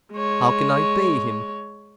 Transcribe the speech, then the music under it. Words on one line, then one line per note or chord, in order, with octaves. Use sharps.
How can I pay him?
G#3 C#5